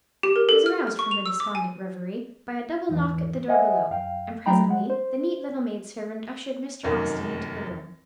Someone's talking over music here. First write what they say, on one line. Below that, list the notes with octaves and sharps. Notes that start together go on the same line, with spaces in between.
She was aroused from her despondent reverie by a double knock at the door below, and presently the neat little maid-servant ushered Mr. Austin into the room.
G4
A#4
A4
F6
F6
C#6
F7
E6
D6
G#5
E2 G#2 E3
C5 D#5 E5 F#5 G#5
F#2 F5 G5
F#3 A3 G5 A#5 B5
G#3 F#5
C5
F1 F#2 D#3